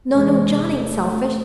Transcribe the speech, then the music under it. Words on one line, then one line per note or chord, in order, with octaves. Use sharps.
'No, no; John ain't selfish!
E2 C3 G#3
A3